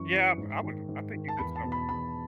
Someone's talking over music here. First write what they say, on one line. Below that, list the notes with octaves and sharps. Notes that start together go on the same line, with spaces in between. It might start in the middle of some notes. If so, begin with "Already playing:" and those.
Yeah, I would I think you could sell 'em.
Already playing: F#2 E3 C#6
E3
G#2
D#3
G#2
D#3
A5
E2 B5
A5
B2
B5
E2 B5